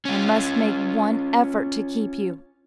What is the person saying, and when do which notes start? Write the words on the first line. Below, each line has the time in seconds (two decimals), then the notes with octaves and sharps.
I must make one effort to keep you....
0.05 C#4 F4